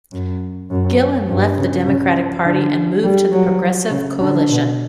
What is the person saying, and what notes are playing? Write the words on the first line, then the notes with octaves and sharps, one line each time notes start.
Gillon left the Democratic Party and moved to the Progressive Coalition.
F#2
F#2
G2
C#3
C#3
D3
G3
F#3
C#3
D3
B2